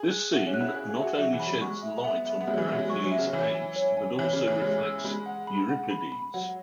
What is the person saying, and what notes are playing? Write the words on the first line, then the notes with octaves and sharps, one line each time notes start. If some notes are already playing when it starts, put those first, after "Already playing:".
This scene not only sheds light on Herakles' angst but also reflects Euripides'.
Already playing: G#4
F#6
F#4 E5
C#4
F#6
E4
G#4 F#6
G#4
E5
F#4
F#3 E5
E3
B5
F#3
G#3 C#6
E5
B3 E5
E5
B3
G#3 E5
F#3
E3
G#3 E5
G#3
F#3 C#6
F#3
E5
C#3
E3 C#5
G#5
C#5
G#5
E3 C#5
C#3
C#5
E3
G#3 C#5
E6
G#3 B5
F#5
B5
F#5
B5
B5
F#3 F#5